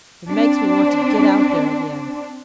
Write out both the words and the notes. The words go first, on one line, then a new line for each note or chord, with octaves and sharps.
It makes me want to get out there again.
C4 D4